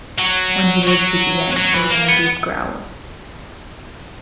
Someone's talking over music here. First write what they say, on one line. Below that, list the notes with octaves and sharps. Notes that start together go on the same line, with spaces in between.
When he did speak again, it was in a deep growl.
F#3
F#3
F#3
E3
A#3
B3